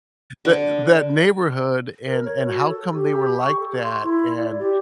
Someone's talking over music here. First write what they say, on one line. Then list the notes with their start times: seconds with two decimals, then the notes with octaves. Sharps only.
tha that neighborhood and and how come they were like that, and
0.45 D3
2.06 A#4
2.25 C#5
2.45 F#4
2.68 A4
2.93 G4
3.40 C#6
3.60 A4
3.83 C6
4.04 E4
4.37 D5
4.59 G4